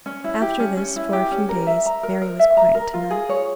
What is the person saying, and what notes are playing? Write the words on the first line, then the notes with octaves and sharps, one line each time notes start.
After this, for a few days, Mary was quiet enough.
C#4
E4
G4
C#4
C#4
E4
G4
C#4
A#4
E5
A#5
A#4
A#4
E5
A#5
A#4
F4
G#4
C#5